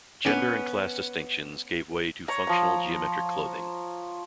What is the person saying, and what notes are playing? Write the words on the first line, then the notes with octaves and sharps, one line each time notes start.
Gender and class distinctions gave way to functional, geometric clothing.
B3 C#4
C#5 A#5
F3 A#5